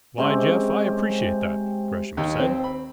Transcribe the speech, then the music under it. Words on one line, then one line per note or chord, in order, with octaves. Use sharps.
"Why, Jeff, I appreciate that," Gresham said.
C3 G#3 C4 C#4
C4
D#2
C4
B5